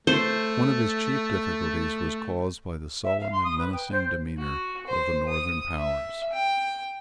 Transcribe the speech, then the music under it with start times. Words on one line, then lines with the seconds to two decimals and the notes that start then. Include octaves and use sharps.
One of his chief difficulties was caused by the sullen and menacing demeanour of the Northern powers.
0.07 A3 C5
3.03 E5
3.19 F5
3.31 C6
3.44 D#6
3.58 B4
3.73 G5
3.91 C5
4.38 F#4
4.87 C5
5.28 D#6
5.78 E5
6.33 G5